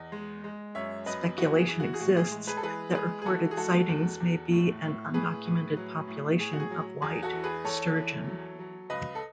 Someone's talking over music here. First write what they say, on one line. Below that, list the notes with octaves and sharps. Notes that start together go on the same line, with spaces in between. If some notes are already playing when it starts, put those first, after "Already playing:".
Speculation exists that reported sightings may be an undocumented population of white sturgeon.
Already playing: E2 D#5
G#3
G#3
F#2 C#5 E5
F#2 B4 D#5
E3 F#4
G#4
E3
F#4
G#4
A2 F#4
G#4
G#3
G#4 B4
A4
E3 G#4 B4
G#3 G#4 B4
G#4
E3 F#4 A4
G#4
G#3 F#4 A4
E2
E2
A2
A2
A2 G#4 B4
A2
F#3
A2
A2 G#4
F#4
G#4
F#3
E2 G#4
F#4 A4
E3
G#4 B4
E2 A4 C#5
E3
F#3
F#3
C#2 B4 D#5
A4